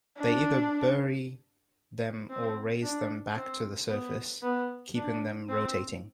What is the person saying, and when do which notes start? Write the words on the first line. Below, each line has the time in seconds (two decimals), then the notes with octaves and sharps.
They either bury them or raise them back to the surface, keeping them rotating.
0.17 D4
2.30 C4
2.83 D4
3.36 C4
3.89 B3
4.43 B3
4.95 D4
5.49 C4